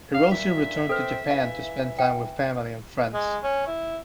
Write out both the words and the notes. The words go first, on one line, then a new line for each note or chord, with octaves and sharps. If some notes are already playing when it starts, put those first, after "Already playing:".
Hirose returned to Japan to spend time with family and friends.
F5
A#2 E5
C4 A4 B4
E3 F5
G5
G#3
C#4
E4